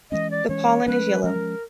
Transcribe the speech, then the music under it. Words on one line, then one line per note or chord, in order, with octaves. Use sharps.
The pollen is yellow.
E3 G#3 C#4 D#5
D5
E3 G#3 C#4 C#5
F3 G#3 C#4 B4
F3 G#3 C#4 A#4